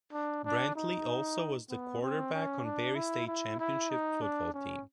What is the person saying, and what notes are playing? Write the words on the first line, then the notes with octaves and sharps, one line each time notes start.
Brantley also was the quarterback on Berry state championship football team.
D4
D4
D#4
B3
C4
C#4
D4
E4
E4
E4
D#4
D4
C#4